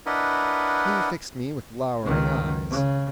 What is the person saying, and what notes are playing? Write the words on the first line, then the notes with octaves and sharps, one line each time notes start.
He fixed me with lowering eyes.
D4 E4 A#4 B4 D#5 F#5
C#2 D#3
C#3